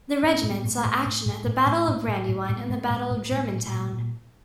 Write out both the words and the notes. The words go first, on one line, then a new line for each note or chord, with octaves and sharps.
The regiment saw action at the Battle of Brandywine and the Battle of Germantown.
A2 C#4
A2
B3
A2
A3
A2
A2
A2
A2
A2
A2
A2
A2
A2
A2 G#3
A2
A2
A2
A#2
A#2
A#2